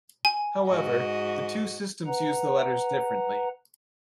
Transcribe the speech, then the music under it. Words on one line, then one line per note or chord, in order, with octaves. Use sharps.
However, the two systems use the letters differently.
G#5
G#2 F#4 D#5
B4 F#5 A#5